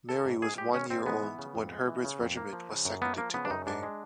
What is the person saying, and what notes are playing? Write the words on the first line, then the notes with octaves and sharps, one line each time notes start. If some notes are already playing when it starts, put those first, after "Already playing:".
Mary was one year old when Herbertt's regiment was seconded to Bombay.
D#3 A4
G#2
G#2 G#4
G#3 G4
D#3 C#4
G#2 C4
G#3 B3
E3
C#3
F2
G#3
E3
C#3
F2
A#3
F3
C#3
F#2
A#3 B3
F3 A#3
C#3 B3
D4
F#2 D#4
G#2 D4
G#3